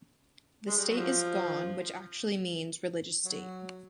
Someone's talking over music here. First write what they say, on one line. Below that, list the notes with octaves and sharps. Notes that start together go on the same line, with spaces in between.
The state is gone", which actually means "Religious state?
G#3
G3
F#3
F3
F#3